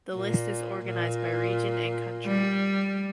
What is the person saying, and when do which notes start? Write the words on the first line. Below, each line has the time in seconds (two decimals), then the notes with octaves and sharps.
The list is organized by region and country.
0.15 A#2
0.86 A#2
2.26 G3